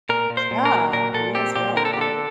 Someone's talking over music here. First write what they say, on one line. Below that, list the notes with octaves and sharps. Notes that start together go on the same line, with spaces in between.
Yeah, may as well, right?
A#2 A#4
A#2
C5
A#2
A#4
F#3
A#2 A#4
A#2 A4
C4 G4
A#2 G4
D3 A#4
A4
G4
D3 A4